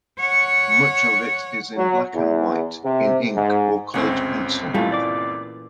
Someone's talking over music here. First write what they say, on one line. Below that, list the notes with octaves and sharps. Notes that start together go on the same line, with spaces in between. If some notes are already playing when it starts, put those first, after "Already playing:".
Much of it is in black-and-white, in ink or colored pencil.
C#5 F#5
F#3
E2
C3
G#2
G1 C#2 C4 C#4 F#5
A#2 E3 G3 A3 F4
D5 D6